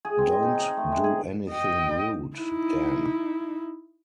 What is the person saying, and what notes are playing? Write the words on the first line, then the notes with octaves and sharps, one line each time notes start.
Don't do anything rude, Dan.
G#4
C4
D#5
D#4
D#5
A3
G#3
G#4
D#5 G5
D#4 E4